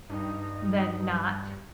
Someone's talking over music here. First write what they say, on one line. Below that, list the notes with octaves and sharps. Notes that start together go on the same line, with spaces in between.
than not,
G2 D#4